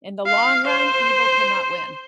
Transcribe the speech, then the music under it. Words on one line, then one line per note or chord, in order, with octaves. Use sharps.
in the long run, evil cannot win.
F5
C5